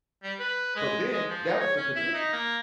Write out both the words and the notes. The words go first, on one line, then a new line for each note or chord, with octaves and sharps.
but then that was the condition.
G3
B4
G#3
G#3
F3
D#4
C#5
C#4
E4
D#4
A#3